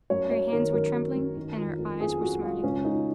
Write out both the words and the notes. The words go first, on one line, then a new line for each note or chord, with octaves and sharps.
Her hands were trembling and her eyes were smarting.
F#2 C#5
F#3 C#5
D#3 A#4
F#2 A#4
F#3
F#2
D#3
F2
F2
F2 G#4
F2 F#4
F#3 F4
C#2 C#4
C#2 D#4